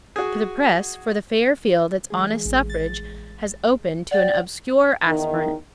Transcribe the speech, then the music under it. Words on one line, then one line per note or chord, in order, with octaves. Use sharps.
To the Press, for the fair field its honest suffrage has opened to an obscure aspirant.
F#4 G#4
E3 G#3 G#4
A1
A6
D5 F#5 G5
E2 D#3